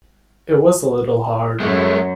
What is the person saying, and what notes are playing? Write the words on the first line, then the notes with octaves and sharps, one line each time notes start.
It was a little hard.
F#2 G#3 A3